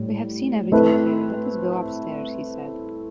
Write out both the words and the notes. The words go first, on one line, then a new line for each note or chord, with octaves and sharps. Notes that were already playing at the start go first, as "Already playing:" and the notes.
"We have seen everything here; let us go upstairs," he said.
Already playing: A2 G3
A3 C4 E4 B4